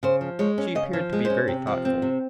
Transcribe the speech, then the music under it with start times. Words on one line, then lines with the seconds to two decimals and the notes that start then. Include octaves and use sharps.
She appeared to be very thoughtful.
0.03 C#3 C5
0.21 F3
0.39 G#3 C#5
0.58 C#4
0.75 C#3 D#5
0.93 F3
1.13 G#3
1.25 C5
1.30 C#4
1.48 C3
1.67 F3
1.85 C4
2.02 C3